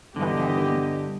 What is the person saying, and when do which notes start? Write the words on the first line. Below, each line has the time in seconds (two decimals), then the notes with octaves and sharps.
by having,
0.16 G2 B2 D3 E3 G3 B3 G4 D#5